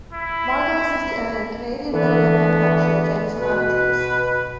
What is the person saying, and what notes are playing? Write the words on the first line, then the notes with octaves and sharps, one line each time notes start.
Margolis is the owner of Canadian vitamin manufacturer Jamieson Laboratories.
E4
D3 E3 B3
B2 B4